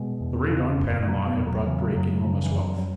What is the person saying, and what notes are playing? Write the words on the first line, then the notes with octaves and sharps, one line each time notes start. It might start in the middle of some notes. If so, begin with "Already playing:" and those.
The raid on Panama had brought Drake enormous wealth.
Already playing: B2 G#3
E2
C#3
F#2
B2 F#3
B3
E2
F#3
C#3 E3
F#3
F#2 F#3
F#3
C#3 F#3
E3
F#2
F#3
F#3